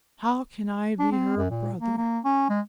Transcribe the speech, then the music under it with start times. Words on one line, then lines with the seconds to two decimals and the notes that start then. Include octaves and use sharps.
How can I be her brother?
0.99 D4
1.12 C4
1.37 F#2
1.51 A#2
1.80 A#3
1.97 A#3
2.25 C#4
2.50 G#3